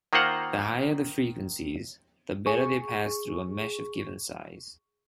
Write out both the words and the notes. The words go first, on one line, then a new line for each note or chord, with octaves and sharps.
The higher the frequencies, the better they pass through a mesh of given size.
D#3 A#3 F4 C5 F#5 A#5
G#4 C#6